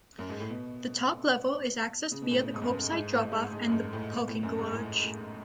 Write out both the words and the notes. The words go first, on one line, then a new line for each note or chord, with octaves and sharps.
The top level is accessed via the curbside drop off and the parking garage.
F#2
G#2
A2
B2
C#3
B2
A2
G#2
F#2
G#2
A2
G#2
G#2
F#2
G#2
A2
B2
A2
F#2
G#2
A2
A2